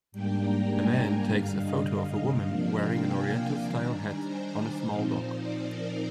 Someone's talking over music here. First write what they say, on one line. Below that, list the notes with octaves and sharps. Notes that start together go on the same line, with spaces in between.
A man takes a photo of a woman wearing an oriental style hat on a small dock.
G#2 G3 A#3 D4 G5
A#5
G#5
G5
G2 D3 G3 F5
D#5
F5
C3 F3 A#3 D4 F5
G5
G#5
D#3 G3 D4 A#5
G#5
C5
A#2 F3 C4 D#4
D5
A#4